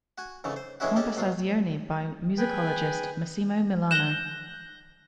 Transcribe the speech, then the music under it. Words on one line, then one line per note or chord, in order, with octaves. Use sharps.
Conversazioni by musicologist Massimo Milano.
F#4 G#5
G#2 C#3 E3 A3
C5
A2 E3 G#3 C#4 E4 F#4
G#3 C#4 G4 A4
B2 F#3 F4
G#4 B4 G5 G#5
F#6 G6 A#6 E7 G7